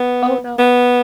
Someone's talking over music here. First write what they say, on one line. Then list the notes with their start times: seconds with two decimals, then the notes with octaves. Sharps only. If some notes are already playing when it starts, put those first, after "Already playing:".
Oh, no.
Already playing: B3
0.58 B3